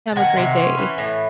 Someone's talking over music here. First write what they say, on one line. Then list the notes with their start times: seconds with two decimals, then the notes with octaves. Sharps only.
have a great day
0.12 A5
0.16 D#3 F#5 G#5
0.37 C3
0.57 C#4
0.77 E3
0.98 A2